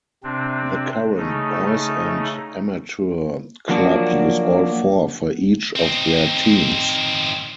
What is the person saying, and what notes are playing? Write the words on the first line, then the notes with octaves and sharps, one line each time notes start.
The current boys and amateur club use all four for each of their teams.
C3 C4 D4
C#3 A3 D#4
F3 F#3 A#3 D4 F4 F#4
C4 D#4